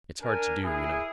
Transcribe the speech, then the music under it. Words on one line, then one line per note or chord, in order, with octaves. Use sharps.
It's hard to do, you know.
D4 A#4 G#5
E4 G#4